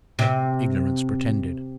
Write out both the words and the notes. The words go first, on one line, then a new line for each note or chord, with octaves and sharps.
Ignorance pretended.
C3